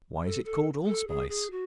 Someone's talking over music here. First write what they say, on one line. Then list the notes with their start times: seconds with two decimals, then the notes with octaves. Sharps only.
Why is it called Allspice?
0.23 A4
0.44 A4
0.87 A4
1.08 G#4
1.29 G#4
1.51 F#4